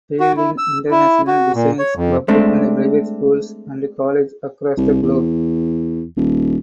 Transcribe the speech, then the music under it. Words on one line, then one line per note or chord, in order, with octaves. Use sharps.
Fielding International designs public and private schools and colleges across the globe.
F#4
E4
E6
E4
F#4
A#2
C#5
F2
G#3 A3 C4 D4
C2
E2
D#1